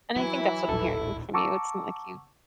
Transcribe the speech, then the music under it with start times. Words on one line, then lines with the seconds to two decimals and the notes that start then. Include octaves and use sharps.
and I think that's what I'm hearing from you, it's not like you
0.16 E3 F#3 E4
0.69 D#1 A1 A4
1.34 F#5 A5 A#5 C#6 D6 E6